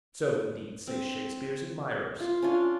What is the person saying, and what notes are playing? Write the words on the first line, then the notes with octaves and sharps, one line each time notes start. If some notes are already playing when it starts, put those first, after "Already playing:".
So, indeed, say Shakespeare's admirers.
C4
F4
C#4 D4 F4